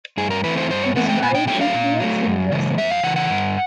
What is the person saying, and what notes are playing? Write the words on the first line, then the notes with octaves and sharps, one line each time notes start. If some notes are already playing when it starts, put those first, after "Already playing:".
He was buried in Hietzinger cemetery.
G2 G#4
A#4
E3 A3 C4 B4
C5
G2 C5
C#5
E3 A3 C4 F#5
G5
A#2 G#5
G5
F#3 A3 G5
F5
A#2
F#3 A3
F#2
C#3 E3 G#3
F#2 E5
F5
C#3 E3 F#5
F#5
G2